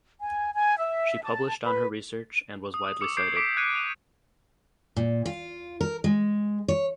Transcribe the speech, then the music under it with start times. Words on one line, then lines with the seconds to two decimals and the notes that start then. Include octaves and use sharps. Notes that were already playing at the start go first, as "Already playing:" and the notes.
She published on her research and was widely cited.
0.21 G#5
0.54 G#5
0.77 E5
1.23 A5
1.63 B4
2.74 D#6
3.01 C#6 D6 E6 C#7
3.17 D6 G6 G#6 C7 D7
3.36 D6 B6 C7 D7
3.57 F#6 G#6 C7 C#7 D#7
3.75 F#6 D#7 F7
4.97 A#2
5.26 F4
5.81 A#4
6.04 G#3
6.68 C#5